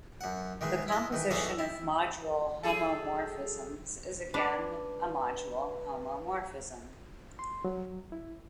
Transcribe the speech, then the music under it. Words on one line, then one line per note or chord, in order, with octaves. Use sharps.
The composition of module homomorphisms is again a module homomorphism.
F#2 F#5
D#3 E3 G#3
E4 D#5
D#3 E3
B1 E3 C#4 G#4 A4 A#5
E4
F#3 G#4 A4
D4 B4 D5 B5
C6
F#3
E4